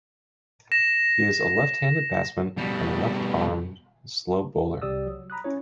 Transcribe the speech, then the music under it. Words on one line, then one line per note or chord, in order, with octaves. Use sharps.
He is a left-handed batsman and a left-arm slow bowler.
A#6 E7
B2 G3
C2 C3 G4 D5 D#6 E6
F#3
A#5 B5 D#6 F#6
C#4 E4 C#5